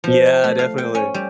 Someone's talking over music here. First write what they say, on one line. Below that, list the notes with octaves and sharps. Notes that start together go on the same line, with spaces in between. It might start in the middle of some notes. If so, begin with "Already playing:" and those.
Yeah, definitely.
F3
A5
A3
F5
G5
C#4
G3